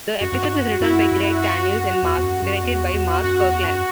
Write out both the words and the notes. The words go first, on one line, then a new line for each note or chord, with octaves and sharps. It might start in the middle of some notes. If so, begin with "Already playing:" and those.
The episode was written by Greg Daniels, and directed by Mark Kirkland.
F#2 F#4
F#2
G2
F#2
F#2 E4
F#2
F#4
E2
E2
F#2
F#2
E2
E2
F#2 F#4
E2
F#2